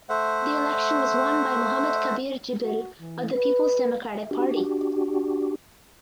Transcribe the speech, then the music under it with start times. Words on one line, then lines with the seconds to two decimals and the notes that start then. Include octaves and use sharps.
The election was won by Mohammed Kabir Jibril of the Peoples Democratic Party.
0.09 A3 C5 E5 F#5
2.64 F#4
3.00 E3
3.33 B4
4.31 D4 F#4 G4